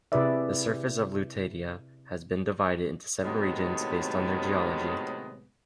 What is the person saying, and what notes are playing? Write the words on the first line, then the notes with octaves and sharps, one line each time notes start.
The surface of Lutetia has been divided into seven regions based on their geology.
C3 E4 G#4 B4 D5 E5
A2 C3 D#3 F#3 G#3 B3